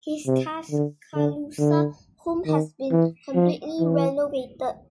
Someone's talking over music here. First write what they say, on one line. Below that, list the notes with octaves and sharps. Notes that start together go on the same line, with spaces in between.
His Tuscaloosa home has been completely renovated.
C3
D3
D3
D3
D#3
E3
F3
E3